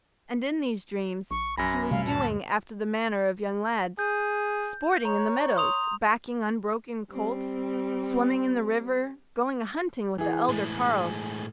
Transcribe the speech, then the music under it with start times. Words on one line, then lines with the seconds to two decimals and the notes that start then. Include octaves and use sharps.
And in these dreams he was doing after the manner of young lads, sporting in the meadows, backing unbroken colts, swimming in the river, going a-hunting with the elder carles.
1.31 A#1 C#6
1.58 A#1 F#2 G#5 B5 A#6
1.91 C3 G3 A3 F5
2.06 D2 G2 A#2 A5
3.99 G#4 G6
5.05 C#5 A#5
5.56 C6 D#6 F7
7.12 G3 C4
10.18 E3 G#4
10.49 A2 G#3